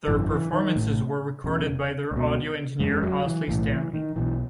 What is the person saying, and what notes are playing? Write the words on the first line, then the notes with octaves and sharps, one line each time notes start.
Their performances were recorded by their audio engineer Owsley Stanley.
G#1 F#2 C#3 E3
E3
D#3
A1 A2
E1 E2 C#3
C#2
B2
F#1 E2 C#3 G#3
F#3
E3
B1 A2 E3
E3
D#3
B1 B2 E3